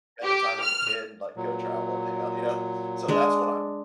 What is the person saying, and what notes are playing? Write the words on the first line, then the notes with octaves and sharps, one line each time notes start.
spend the time with the kid, like, go travel and hang out, you know? So that's what I'm
G4
F6
A#2 F#3
G#3 D4